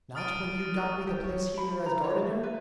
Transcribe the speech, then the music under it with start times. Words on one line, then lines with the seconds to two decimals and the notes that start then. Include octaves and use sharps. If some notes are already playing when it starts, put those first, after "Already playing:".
"Not when you got me the place here as gardener?"
0.15 D#6 F6 A6 D7 D#7
1.07 G4
1.24 C#5
1.58 B5
1.86 A#5
2.04 C#5
2.26 E5
2.43 B4